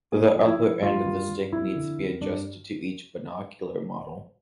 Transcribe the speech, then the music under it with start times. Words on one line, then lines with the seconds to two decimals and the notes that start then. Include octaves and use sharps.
The upper end of the stick needs to be adjusted to each binocular model.
0.12 A#2 G#4
0.35 F3
0.47 E4
0.58 F3
0.82 G2 F4
1.06 G2
1.29 G2
1.52 F2 E4
1.75 D3
1.98 F2
2.21 G2 D4